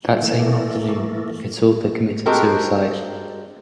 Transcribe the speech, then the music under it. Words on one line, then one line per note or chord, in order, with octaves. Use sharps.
That same afternoon, its author committed suicide.
E3 A3 A#3
G#3 C4 F#4 G4 A4 A#4